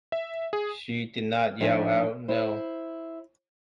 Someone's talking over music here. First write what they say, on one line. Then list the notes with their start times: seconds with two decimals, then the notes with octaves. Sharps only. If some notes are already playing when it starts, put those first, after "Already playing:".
She did not yell out — no!
0.12 E5
0.53 G#4
1.60 A2 F3 D4 D#4 E5 G#5
2.28 E4 C5